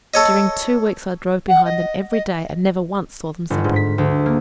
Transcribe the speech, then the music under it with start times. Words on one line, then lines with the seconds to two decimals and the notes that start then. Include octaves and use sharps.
During two weeks I drove behind them every day, and never once saw them separate.
0.14 A4 C#5 D#5
1.48 F#5
1.64 D#5
2.11 D#5
3.50 G1
3.64 G#2
3.76 B6
3.98 D2
4.26 A#3